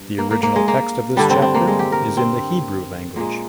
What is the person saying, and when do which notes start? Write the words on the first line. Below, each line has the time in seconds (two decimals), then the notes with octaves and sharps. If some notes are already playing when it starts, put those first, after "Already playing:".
The original text of this chapter is in the Hebrew language.
Already playing: G2
0.18 A#3
0.31 A#3
0.43 A#3
0.56 G#3
0.68 A#3
1.17 G2 D3 G3 D4
1.30 C4
1.42 C4
1.54 A#3
1.67 G#3
1.79 G4
1.92 A#4
2.17 C4
3.16 A#2 G#3 A#3